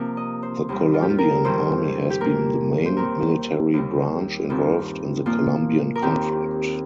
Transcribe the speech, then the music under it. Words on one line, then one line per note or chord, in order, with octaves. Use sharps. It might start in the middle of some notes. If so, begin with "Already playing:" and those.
The Colombian Army has been the main military branch involved in the Colombian conflict.
Already playing: C3 F3 A#3 A#4
D#5
C5
D#2 D#3 G3
F4
G4
F4
A#4
F2 D#3 G3 C5
G4
A#2 A#3 A#4
C5
D#2 D#3 C4 A#4
D#2 D#3 G3
G2 D#3 C4 F4
A#2 F3 A#3 F4
A#4
D#2 D#3 C4 G4